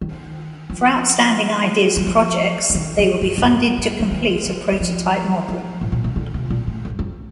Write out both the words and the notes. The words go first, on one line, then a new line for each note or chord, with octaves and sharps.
For outstanding Ideas and Projects, they will be funded to complete a prototype model.
D#3
F3
G3
F3
F3
D#3
F3
G2
F2
G2
G2
F3
D#3
F3
G3
F3
F3
A2
A#2
C3
D3
C3
A#2
A2
G2
F2